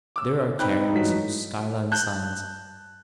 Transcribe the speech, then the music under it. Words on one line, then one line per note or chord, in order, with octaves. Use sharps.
There are cairns and skyline signs.
D6 E6
C4 D#4 B4 G5 B5 F#6
G2 E3 F#3 A3 B6
A5 F#6 G6